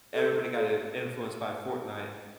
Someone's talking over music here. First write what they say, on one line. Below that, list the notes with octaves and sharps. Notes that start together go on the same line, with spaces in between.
everybody got, in influenced by Fortnite
A4